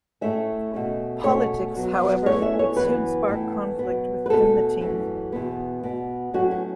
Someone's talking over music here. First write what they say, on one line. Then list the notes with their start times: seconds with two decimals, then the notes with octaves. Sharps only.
Politics, however, would soon spark conflict within the team.
0.21 A2 A3 C#4 E5
0.73 B2 A3 C#4
1.23 B2 A3 C#4 C#5
1.75 B2 F#3 B3
2.26 E2 E3 A3 C#4 C#5
2.42 E5
2.59 C#5
2.76 F#2 E3 B3 B4
3.28 A2 E3 B3
3.79 B2 F#3 B3
4.26 B4
4.30 B2 A3 C#4 A4
4.81 F#2 E3 A3 C#4
5.32 E2 B2 B3
5.83 B2 B3
6.34 A2 F#3 A3 C#4 F#4
6.51 C#4